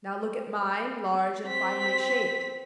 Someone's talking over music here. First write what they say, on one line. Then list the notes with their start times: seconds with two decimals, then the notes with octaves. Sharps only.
Now, look at mine, large and finely shaped.
1.45 C4 B6